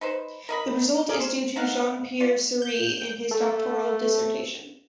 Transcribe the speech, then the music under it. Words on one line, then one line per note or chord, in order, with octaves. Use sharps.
The result is due to Jean-Pierre Serre in his doctoral dissertation.
D#4 B4 C5
A#4 D#5 B5
G#4 A#4 D5 F5
C5
B3 D#4 F5 F#5
F4 D5
G6
A3